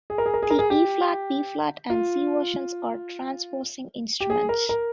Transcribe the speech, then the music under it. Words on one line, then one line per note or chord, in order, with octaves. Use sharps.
The E-flat, B flat and C versions are transposing instruments.
G#4
A#4
G#4
A#4
G#4
A#4
G#4
G4
F4
G4
G#4
A#4
A#4